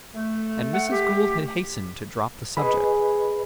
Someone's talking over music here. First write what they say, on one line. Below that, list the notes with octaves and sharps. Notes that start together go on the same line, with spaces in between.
And Mrs. Gould had hastened to drop the subject.
A3
F#5
G4
G#4 B4 D#5 B5